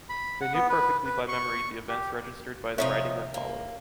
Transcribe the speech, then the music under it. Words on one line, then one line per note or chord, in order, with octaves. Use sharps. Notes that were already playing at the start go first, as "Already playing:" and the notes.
They knew perfectly by memory the events registered by the writing that followed.
B5
F#5
B3
B4
B4
C#6
G4
C3 F3 D#4 C#5 E5
A#3